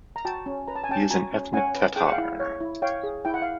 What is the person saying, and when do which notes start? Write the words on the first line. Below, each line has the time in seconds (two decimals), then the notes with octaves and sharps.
He is an ethnic Tatar.
0.16 A#5
0.25 F#4 G5 A5
0.46 C#4
0.67 B4 A#5
0.75 A5
0.84 G#5
0.89 C#4 G5 A5
1.10 F#4 G#5 A#5
1.33 C#4
1.53 C#4 F#5 G#5
1.74 B4
1.96 G#4 G5
2.05 F#5
2.12 F5 G5
2.18 E4
2.40 C#5
2.60 E4
2.82 C#5 F5 G5
3.03 G#4
3.25 E4 G5
3.34 F#5
3.42 F5